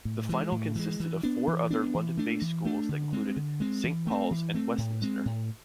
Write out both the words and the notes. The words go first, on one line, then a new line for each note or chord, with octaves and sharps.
The final consisted of four other London-based schools that included Saint Paul's and Westminster.
A2
E3 G#3
A2
E3 G#3
E3
B3 D4
E3
B3 D4
E3
A3 D4
E3
A3 D4
D3
G#3 C4
D3
G#3 C4
E3
A3 C4
E3
A3 C4
A2
G#3 C4
A2